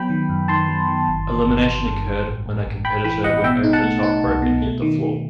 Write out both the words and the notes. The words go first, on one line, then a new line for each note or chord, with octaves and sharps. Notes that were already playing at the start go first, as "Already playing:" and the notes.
Elimination occurred when a competitor went over the top rope and hit the floor.
Already playing: F#3 B3 G5 B5
D#3
F#2
D#3 A5 C6
F#3
D#3
G1
E3
G1
G1
G2
G2
A1
A1
A1
A1 G5 B5
E3 G5 B5
A1 D#5 F#5
B2 E5 G5
D#4
F#5 A5
A3
D#4
C2
B2
A3
D#3
D#3